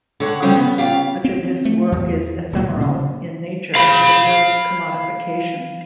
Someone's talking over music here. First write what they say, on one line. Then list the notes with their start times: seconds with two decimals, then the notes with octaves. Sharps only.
Much of his work is ephemeral in nature and avoids commodification.
0.20 D3 C#5 F#5
0.42 C#3 F3 G3 A3 C#4 F#4
0.55 B3
0.78 C#3 F4 G4 F5
1.24 C4
1.65 A3
1.92 E2
2.53 D1 G2 A#2
2.81 C#3
3.75 F5 B5